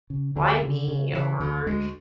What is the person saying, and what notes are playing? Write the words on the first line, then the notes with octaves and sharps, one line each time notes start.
"Why me?" or
C#3
D2 D3
C#3
C#3
C#3 E3
D2 D3
D2 G#3